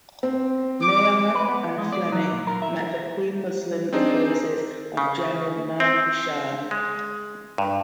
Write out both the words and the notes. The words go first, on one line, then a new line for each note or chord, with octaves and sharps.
Maillart and Fleming met the Hui Muslim forces of General Ma Hushan.
C4
D6
B4
B3
G#3
D5
F#3
A#2
A#4
E5
C4 D4 D#4 G#4 C5 D5
C#3
C4
G#3
G2